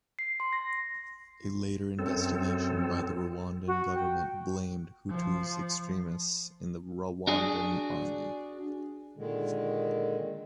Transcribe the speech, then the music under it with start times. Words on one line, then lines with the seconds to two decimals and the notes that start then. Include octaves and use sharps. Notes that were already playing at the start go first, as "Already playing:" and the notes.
A later investigation by the Rwandan government blamed Hutu extremists in the Rwandan army.
0.19 C7
0.40 C6
0.53 A#6
1.99 F#2 C4 A4
3.67 F#4
3.95 G5
5.10 F3
7.27 D4 F#4 G#4
9.17 A#2 D3 D#3 G#3